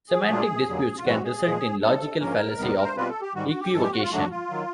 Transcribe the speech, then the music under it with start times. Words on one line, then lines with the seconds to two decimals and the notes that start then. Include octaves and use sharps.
Semantic disputes can result in the logical fallacy of equivocation.
0.09 G#4
0.28 A#2 F#3 A3 D4 F4
0.67 F2 D3 F#3 A#3
0.98 F4
1.05 G#2 E3 G3 C4 F#4
1.24 G#4
1.43 A#2 F3 G#3
1.81 A#2 G3 C4 D#4 A4
2.20 G#2 F3 A#3 C#4 A#4
2.58 E2 C3 D#3 G3 B3
2.84 C5
2.97 B2 G3 C4 F4 B4
3.10 A4
3.22 G4
3.35 G#2 D#3 G3 F#4
3.48 F#4
3.60 G4
3.73 G2 E3 G#3 A4
3.82 G4
3.92 F#4
4.02 F4
4.11 D#2 D3 F#3 A3 D4 F#4
4.31 F4
4.50 D#3 F#3